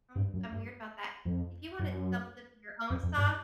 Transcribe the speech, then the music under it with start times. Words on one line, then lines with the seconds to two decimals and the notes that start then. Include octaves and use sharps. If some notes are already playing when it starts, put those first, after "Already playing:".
I'm I'm weird about that. If you wanna double dip in your own sauce
0.16 G2
0.34 F#2
0.52 G2
1.25 F2
1.79 F#2
2.90 F2
3.03 F2
3.18 G2